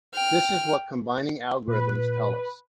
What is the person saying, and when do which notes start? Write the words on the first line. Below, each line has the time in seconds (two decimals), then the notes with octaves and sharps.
This is what combining algorithms tell us.
0.14 G5 F6
1.68 A#2 B4